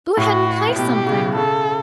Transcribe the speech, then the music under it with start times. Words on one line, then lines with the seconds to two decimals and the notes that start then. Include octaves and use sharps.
"Go ahead and play something."
0.17 A2 F#4
0.69 A2
0.76 B2 G4
1.06 C#3
1.36 C#3 A4